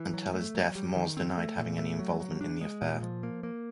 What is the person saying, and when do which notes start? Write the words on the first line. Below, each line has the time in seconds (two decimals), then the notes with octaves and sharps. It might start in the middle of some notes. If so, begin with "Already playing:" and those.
Until his death Moores denied having any involvement in the affair.
Already playing: E3
0.14 F#3
0.34 A3
0.55 F#3
0.75 G3
0.96 D#3
1.17 C4
1.38 A3
1.58 A#2
1.78 A3
1.99 F#3
2.20 F#3
2.41 D4
2.61 G#3
2.82 A#2
3.03 F3
3.23 A#3
3.43 A#3